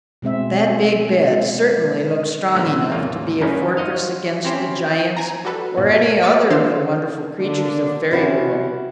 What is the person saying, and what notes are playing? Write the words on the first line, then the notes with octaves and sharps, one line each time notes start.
That big bed certainly looked strong enough to be a fortress against the giants or any other of the wonderful creatures of fairy-world.
B2 G#3 C4 E5
A2 D3 G#3 A#3 B3
A1 E2 G3 A#3 F4
F#2 D#3 E3 C#4 D#4 E4
F4 F#4 D#5 F5
C4 C#4 E4 G4 C5
G#5 A#5
G3 F#4 A4 B4
F2 G#2 B2 E3 F3
C#6 D6 A6 C#7
D#3 D4 C5 F5 C6 E6
D3 A#3 D4
C3 C#4 E4 F#4 G4